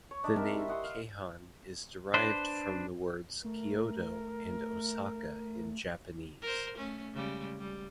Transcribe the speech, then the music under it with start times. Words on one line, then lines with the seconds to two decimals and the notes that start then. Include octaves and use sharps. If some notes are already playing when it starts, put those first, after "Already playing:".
The name Keihan is derived from the words Kyoto and Osaka in Japanese.
0.11 C#5
0.24 D4 D#4 E5
0.36 C4 A#4 E5
0.50 G3 E4 C6 C#6
0.68 D#5 F#5 C6
0.84 F5
2.14 D4 B4 C5
3.44 A3 A#4
6.42 A#4 C5
6.78 A3 C#4
7.14 C#3 G3 G#3
7.59 G3